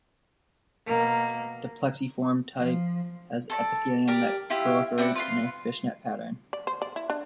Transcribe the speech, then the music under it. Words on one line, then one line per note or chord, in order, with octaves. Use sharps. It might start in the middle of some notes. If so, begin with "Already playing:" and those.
The plexiform type has epithelium that proliferates in a "Fish Net Pattern".
B2 A#3
F3
A4 C#5 D5
G4 A#4 D5
E4 F4 G4
C4 E4 D5 F#5
F4 B4 C6
D5
C5
D5
E4
D4